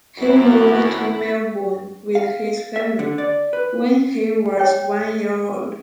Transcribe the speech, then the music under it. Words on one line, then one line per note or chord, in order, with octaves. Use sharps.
He moved to Melbourne with his family when he was one year old.
G#1 C#2 F#2 E4 F#4
F5
E5
D3
D5
B4
C#5 G5